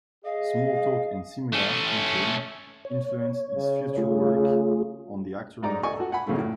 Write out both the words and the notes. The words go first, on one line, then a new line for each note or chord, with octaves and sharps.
Smalltalk and Simula, in turn, influenced his future work on the Actor model.
G#4 D#5 F5
A3 C#4
C#5
C#3
A3 F4 G#4
G#2 D#4 D5 A#5
D5 D#5 G#5 C#6
F#4 A4
F#5 G#5 B5
F#2 A#2 C#3 F3 A3 F4
A2